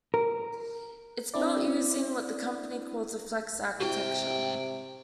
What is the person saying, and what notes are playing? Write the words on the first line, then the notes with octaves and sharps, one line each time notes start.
It's built using what the company calls a "Flex architecture".
A#4
C4 D4 E4 D5
G#2 C3 E4 G4 G5